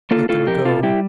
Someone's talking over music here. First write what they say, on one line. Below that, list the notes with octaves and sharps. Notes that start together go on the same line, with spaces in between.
Let them go!
A#3 F4 A4
A2 F4 A4
F2 G4 A#4
C3 F4 A4
G3 E4 G4